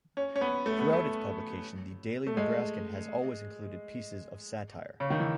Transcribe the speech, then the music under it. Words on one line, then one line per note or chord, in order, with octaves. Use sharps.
Throughout its publication the "Daily Nebraskan" has always included pieces of satire.
C#4
C#4
B3
A3
B3
A3
A3
G#3
C#3
D#3
E3